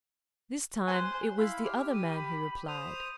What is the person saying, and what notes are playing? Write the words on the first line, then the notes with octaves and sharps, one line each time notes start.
This time it was the other man who replied.
C5 G#5 F#6
E4 F5 B5 E6
G4 F6
D#7
B5
C5 D#6 F7